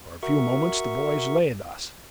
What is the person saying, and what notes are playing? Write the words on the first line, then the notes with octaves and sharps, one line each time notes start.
For a few moments the boys lay thus.
F#4 A#4 E5 C#6